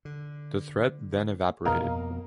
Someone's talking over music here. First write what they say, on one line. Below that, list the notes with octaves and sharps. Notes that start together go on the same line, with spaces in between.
The threat then evaporated.
D3
F2 B2 A#3 A#4 D#5 F5